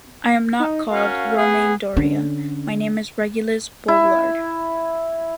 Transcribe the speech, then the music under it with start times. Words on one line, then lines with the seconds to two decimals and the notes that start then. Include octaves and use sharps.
I’m not called Romain Doria, my name is Régulus Boulard.
0.60 D#4
0.90 C#4 F#4 A#4 F5
1.36 B3 G#4
1.97 D3 C#4
3.88 E4